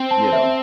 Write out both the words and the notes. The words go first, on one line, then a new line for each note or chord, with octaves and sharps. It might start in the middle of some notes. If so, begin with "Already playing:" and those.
you know.
Already playing: C4
A5
E5